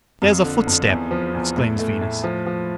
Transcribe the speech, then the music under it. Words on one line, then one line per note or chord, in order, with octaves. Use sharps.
'There's a footstep!' exclaims Venus.
F2
D3
F2
E2
F3
E2
A2
A3
A2
F3
F3